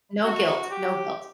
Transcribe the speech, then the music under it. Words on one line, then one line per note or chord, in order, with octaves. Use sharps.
No guilt. No guilt.
F#4
G4